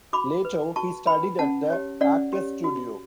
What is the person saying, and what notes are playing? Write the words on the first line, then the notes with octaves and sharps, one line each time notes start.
Later he studied at the Actors Studio.
F#4 B5 D6
B4
F#4 A5 C#6
B4 G5 B5
C#4 F#5 A5
G4 C#5
C#4 D5 F#5
G4 C#5
F#4